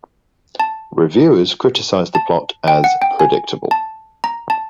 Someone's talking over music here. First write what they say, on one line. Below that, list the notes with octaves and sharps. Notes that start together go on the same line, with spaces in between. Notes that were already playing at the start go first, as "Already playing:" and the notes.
Reviewers criticized the plot as predictable.
A5
A5
G5
F#5
G5
G#5
A5
A#5
A5